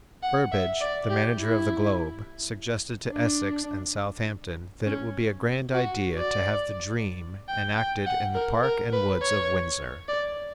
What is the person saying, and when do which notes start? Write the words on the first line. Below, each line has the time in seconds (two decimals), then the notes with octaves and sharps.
Burbage, the manager of the Globe, suggested to Essex and Southampton that it would be a grand idea to have the "Dream" enacted in the park and woods of Windsor!
0.23 F#5
0.52 E5
0.81 D5
1.10 G4
1.38 E4
3.13 D4
4.86 C#4
5.74 F#4
6.17 D5
7.48 G5
7.77 G5
8.06 F#5
8.35 A#4
8.63 A#4
8.93 B4
9.22 C#5
10.08 D5